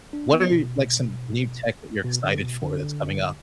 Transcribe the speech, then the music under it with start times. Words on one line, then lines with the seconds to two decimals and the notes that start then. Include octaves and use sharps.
what are, like, some new tech that you're excited for that's coming up?
0.13 D4
0.33 B3
0.51 B2
2.04 B2
2.24 D3
2.43 B2
2.62 D3